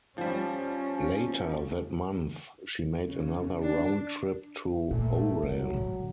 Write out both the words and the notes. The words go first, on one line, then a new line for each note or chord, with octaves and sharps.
Later that month she made another round trip to Oran.
F3 G3 C#4
C#3
D4
A#2 A3
C2 F#3
A2 D3